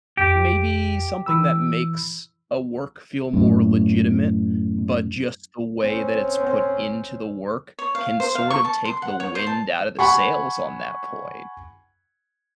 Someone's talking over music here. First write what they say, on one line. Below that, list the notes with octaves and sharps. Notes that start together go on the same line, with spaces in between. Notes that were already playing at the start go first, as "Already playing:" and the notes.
maybe something that makes a work feel more legitimate, but just the way that it's put into the work can sort of take the wind out of the sails on that point
F2 G4 G6
E3 B5 E6
F#2 A2
C4 C#4
C#5
F5
C5
F5
C#6
A5
C6
F#5
C#5
C5
A5
F#5 G#5 B5 C#6